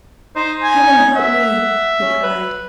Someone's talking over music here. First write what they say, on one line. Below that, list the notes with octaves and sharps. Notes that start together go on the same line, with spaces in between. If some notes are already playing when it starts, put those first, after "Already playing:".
"Heaven help me!" he cried.
D#4 C5
G#5
E5 F#5
C#4
B4